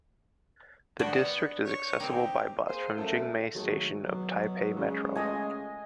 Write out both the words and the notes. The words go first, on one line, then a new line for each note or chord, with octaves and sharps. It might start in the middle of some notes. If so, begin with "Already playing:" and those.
The district is accessible by bus from Jingmei Station of Taipei Metro.
B3 D4 F#4 G5
C#5
C4 D#4 G4
A#3 G#4 C5
F#2 A2 A3
D#3 F#3 G#3 A3
B2 F#3
C#3 F#3 G#3 C#4 D5
A3 F4 B4 D#5 G#5